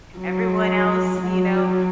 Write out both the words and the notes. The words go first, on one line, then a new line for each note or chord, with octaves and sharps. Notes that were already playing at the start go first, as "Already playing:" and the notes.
everyone else, you know,
F#3
F#3